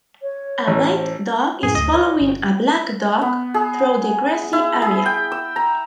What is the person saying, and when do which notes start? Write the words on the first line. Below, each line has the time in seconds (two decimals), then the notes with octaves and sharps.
A white dog is following a black dog through the grassy area.
0.22 C#5
0.68 A1 C#5
0.95 C5
1.63 F#2 A2 G#4
1.75 D2 D#5
1.92 B4 C#5 D5
2.21 G1
3.22 B3
3.54 G#4
4.53 E4
4.82 G#4
5.06 G5
5.32 E6
5.56 A#5